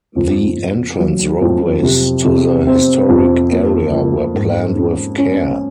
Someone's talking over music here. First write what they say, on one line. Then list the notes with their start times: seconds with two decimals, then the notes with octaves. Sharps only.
The entrance roadways to the Historic Area were planned with care.
0.16 F2
0.57 F2
0.99 F#3
1.41 F2
1.83 C3
2.25 C3
2.67 C4
3.09 F2
3.50 A#3
3.92 F3
4.34 G#2
4.76 C#4
5.18 C#4